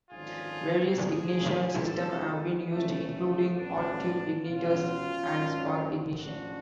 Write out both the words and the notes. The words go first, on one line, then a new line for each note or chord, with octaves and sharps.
Various ignition systems have been used, including hot-tube ignitors and spark ignition.
G#1 F#2 D3 F3 F4 G#4
D2 C#3 F3 F4 G#4
F2 F3 F#4 A4
G#3 B3
F#1 F2 C#3 A3
A1 G#2 F#3 B3 D4
C#2 B2 F#3 C#4 F4
G#1 F#2 D3
A1 G#2 F3 D4 F#4